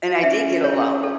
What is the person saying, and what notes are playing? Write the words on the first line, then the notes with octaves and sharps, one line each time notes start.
and I did get a loan
C#4 E5
C#5
A4